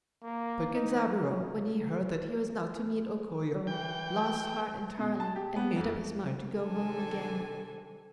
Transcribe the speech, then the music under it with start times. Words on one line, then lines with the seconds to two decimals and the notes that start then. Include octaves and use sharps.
But Genzaburo, when he heard that he was not to meet O Koyo, lost heart entirely, and made up his mind to go home again.
0.23 A#3
0.74 D#4
3.67 E3 G5
4.99 B2
5.20 A5
5.36 G4
5.56 B3
5.76 F2
6.59 C3 D#3 G3 D4 A4 G#5